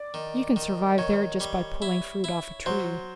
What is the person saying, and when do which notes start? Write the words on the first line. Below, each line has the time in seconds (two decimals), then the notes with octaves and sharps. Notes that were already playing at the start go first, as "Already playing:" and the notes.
You can survive there just by pulling fruit off a tree.
Already playing: D5
0.14 D#3
0.56 D#3
0.98 D#3 C#5
1.40 G3
1.82 E4
2.24 E4
2.66 F#3 C5